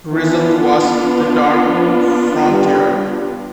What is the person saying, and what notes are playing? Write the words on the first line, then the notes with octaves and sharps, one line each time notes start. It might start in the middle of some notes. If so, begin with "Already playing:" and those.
Result was "The Dark Frontier".
E3 B3 D4 F4
F3
G3